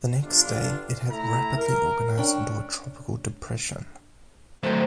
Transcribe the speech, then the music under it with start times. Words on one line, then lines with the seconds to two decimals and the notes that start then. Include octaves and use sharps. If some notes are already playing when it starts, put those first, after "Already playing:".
The next day, it had rapidly organized into a tropical depression.
0.22 G1 D4 F4
1.11 A2 A3 E4 A#5
1.58 A#4
2.18 C#4 D4 G5
4.63 F#3 G#3 A3 C5 G5 A#5